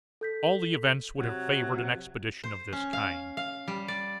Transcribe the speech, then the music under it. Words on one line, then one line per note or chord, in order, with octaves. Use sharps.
All the events would have favored an expedition of this kind.
A4 G6 B6
C3 F#3
C5
C#4
F5
F5
G3
D5